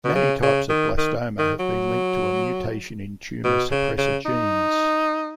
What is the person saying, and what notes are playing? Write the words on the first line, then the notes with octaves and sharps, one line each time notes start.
Many types of blastoma have been linked to a mutation in tumor suppressor genes.
B2
C#3
C#3
D#3
D#3
D#3
F#3
B2
C#3
C#3
D#4